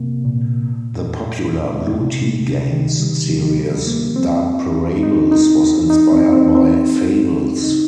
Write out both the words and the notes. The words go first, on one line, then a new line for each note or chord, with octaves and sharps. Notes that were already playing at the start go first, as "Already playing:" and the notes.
The popular Blue Tea Games series "Dark Parables" was inspired by "Fables".
Already playing: C3 A#3
A#2
C3
C3
D#3
G3
F3
G3
A#3
C4
D#4
D#4
D#4
C4
C4
C4
D#4